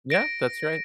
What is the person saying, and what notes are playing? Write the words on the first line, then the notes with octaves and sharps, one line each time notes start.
Yeah, that's right.
A#6 D7